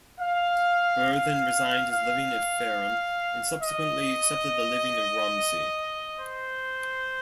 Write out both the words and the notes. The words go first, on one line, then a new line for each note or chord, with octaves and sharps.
Berthon resigned his living at Fareham, and subsequently accepted the living of Romsey.
F5
F5
D#5
C5